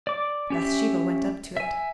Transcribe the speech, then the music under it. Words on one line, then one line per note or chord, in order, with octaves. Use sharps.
Bathsheba went up to it.
D5 D6
C#4 G4 E5
E5 G#5